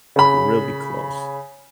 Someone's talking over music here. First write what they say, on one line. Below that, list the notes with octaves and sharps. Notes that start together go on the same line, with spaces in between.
really close.
C#3 B5